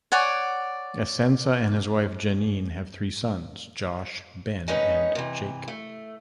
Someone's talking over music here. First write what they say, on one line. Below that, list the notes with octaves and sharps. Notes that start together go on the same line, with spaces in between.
Essensa and his wife Jeanine have three sons, Josh, Ben and Jake.
C#5 D5 F#5 G#5
D#3 G#3 C#4 D#4 B4 C#5
C3 E3
A3